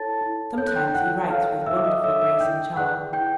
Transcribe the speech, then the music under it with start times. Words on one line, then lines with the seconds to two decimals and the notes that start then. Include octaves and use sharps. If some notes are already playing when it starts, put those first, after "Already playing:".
Sometimes he writes with wonderful grace and charm.
Already playing: E4 A4 C#5 A5 A6
0.21 E4
0.58 A4 C#5 G6
0.67 F#6
0.76 G5 G6
0.94 E4 F#5 F#6
1.30 A4 C#5 F5 F6
1.66 E4 E5 E6
1.76 D6
1.85 D#5 D#6
2.03 A4 C#5 E5 E6
2.22 E5 E6
2.40 E4 G5 G6
2.76 G#4 B4 D5 F#5 F#6
3.12 E4 G5 G6